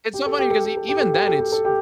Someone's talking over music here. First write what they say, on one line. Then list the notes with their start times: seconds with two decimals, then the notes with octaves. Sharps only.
It's so funny because e even then, it's,
0.14 G4
0.26 A4
0.39 G4
0.51 A4
0.64 G4
0.77 A4
0.89 G4
1.01 A4
1.14 G4
1.27 A4
1.40 G4
1.52 A4
1.65 G4